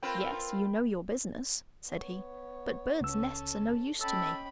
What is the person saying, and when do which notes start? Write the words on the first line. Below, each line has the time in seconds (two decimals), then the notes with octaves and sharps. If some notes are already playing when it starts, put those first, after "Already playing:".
'Yes; you know your business,' said he, 'but birds' nests are no use to me.
0.03 C4 F4 A#4 B4 G5 B5
1.91 B3 C#5
3.01 C#2 C#4 A4 E6
4.01 C#4 A4 D#5 G5 B5 E6